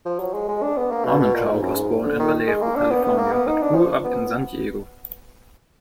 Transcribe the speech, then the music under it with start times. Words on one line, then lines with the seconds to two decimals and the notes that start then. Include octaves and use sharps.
Armantrout was born in Vallejo, California, but grew up in San Diego.
0.05 F3
0.20 F#3
0.34 G#3
0.49 G#3
0.63 D4
0.77 B3
0.91 A#3
1.05 B2
1.20 B2
1.34 A#2
1.49 G#2
1.62 F#2
1.76 G#2
2.04 D3
2.20 D#3
2.48 G#3
2.62 A#3
2.76 D4
2.91 B3
3.04 B3
3.18 A#3
3.33 B3
3.47 D#4
3.62 D4
3.75 F3
4.05 B3